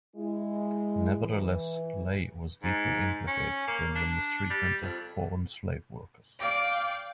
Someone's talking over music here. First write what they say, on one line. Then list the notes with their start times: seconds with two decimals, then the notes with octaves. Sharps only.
Nevertheless, Ley was deeply implicated in the mistreatment of foreign slave workers.
0.16 G#3 E4
1.19 E3
2.63 G#2
3.27 C#4
3.68 A#3
3.96 D4
4.50 G3
4.82 F2
6.39 D5 F5 G5 D6